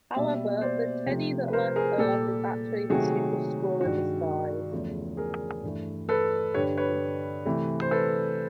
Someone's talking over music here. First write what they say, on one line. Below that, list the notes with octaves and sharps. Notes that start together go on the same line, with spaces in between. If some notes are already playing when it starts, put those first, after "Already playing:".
However, the "Teddy" that left Earth is actually the Super-Skrull in disguise.
B2 G3 A#3 D5 E5
C5 D5
C3 F3 A3
B4
A#4 C5
G#4 A#4
A#2 G3 A#3 G4 A4
C3 D#3 F#3 A3 F#4 G#4
G2 D#3 G#3 F#4
E2 C#3 F3 A3
G#4 A#4
G2 E3 A3
A4 B4
G2 D3 G3 B4 C#5
B4 C#5
C3 E3 A3
C5
A4 B4